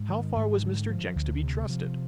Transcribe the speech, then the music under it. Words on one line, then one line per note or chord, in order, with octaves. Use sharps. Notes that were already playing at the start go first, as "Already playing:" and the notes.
How far was Mr. Jenks to be trusted?
Already playing: G#2
D#3
G#2
D3
F3
D2
C3
F3